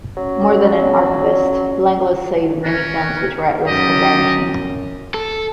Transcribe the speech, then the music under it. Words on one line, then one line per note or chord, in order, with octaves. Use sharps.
More than an archivist, Langlois saved many films which were at risk of vanishing.
F#3 C#4
C#4 F#4 A#4
F#2 G3 G4 D#5
A4